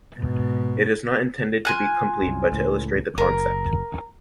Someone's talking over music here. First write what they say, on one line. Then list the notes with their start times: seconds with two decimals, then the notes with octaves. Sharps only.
It is not intended to be complete but to illustrate the concept.
0.18 G#2 B2
1.65 F4 G#5 F#6
2.22 C2 F#2
2.52 C#2 A2
3.18 F#1 A#4